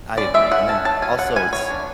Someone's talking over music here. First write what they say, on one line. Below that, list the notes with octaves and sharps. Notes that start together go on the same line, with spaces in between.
I agree, and then, also, it's
C#4 D5
G#3 E5
C#4 F#5
C#4 A5
F#3 A5
C#4 G#5
F#3 F#5
C#4 G#5
E3 C#5
D4